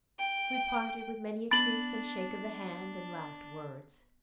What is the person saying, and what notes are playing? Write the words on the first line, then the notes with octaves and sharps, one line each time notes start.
We parted with many a kiss and shake of the hand and last words.
G5
B3 D4 A6 F#7